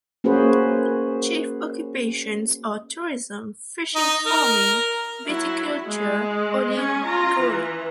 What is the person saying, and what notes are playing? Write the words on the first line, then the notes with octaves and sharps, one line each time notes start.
Chief occupations aretourism, fishing farming, viticulture, olive growing.
A#3 C#4 F#4 G#4 B4 C5
D#4
A#4
F#3 E4
G#3
C#4 G#5
F4 A#5
E3